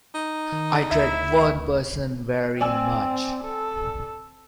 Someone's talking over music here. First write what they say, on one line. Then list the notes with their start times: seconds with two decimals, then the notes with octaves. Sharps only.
I dread one person very much.
0.14 D#4
0.52 D#3
0.91 D2 E4 E5
2.61 C4 D5 G#5 E6
3.44 A4